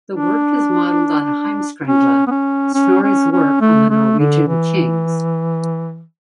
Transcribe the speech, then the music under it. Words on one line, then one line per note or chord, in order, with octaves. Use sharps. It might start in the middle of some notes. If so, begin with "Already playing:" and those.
The work is modelled on the "Heimskringla", Snorri's work on the Norwegian kings.
D4
C#4
B3
C#4
C#4
C#4
C#4
A3
A3
D3
E3